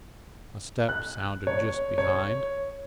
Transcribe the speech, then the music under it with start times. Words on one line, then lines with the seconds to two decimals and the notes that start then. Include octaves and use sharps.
A step sounded just behind.
0.89 F#6
1.47 C#5
1.98 C#5